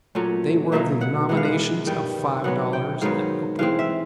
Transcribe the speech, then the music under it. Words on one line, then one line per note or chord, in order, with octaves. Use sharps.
They were of the denominations of five dollars and upward.
A#2 F#3 A3 C#4
B2 F#3 A#3 D#4 E5
F#5
E3 G#3 B3 F#5
F5
F#5
G2 D#3 G3 G5
B2 F#3 B3 F#5
G5
G#2 D#3 F#3 B3 F5
E3 G#3 C4 F5
E5